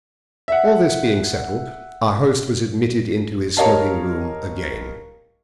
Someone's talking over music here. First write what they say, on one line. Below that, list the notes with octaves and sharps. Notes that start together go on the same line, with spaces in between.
All this being settled, our host was admitted into his smoking-room again.
E5 F#5
G4 A#4 C#5 D#5 F5 A5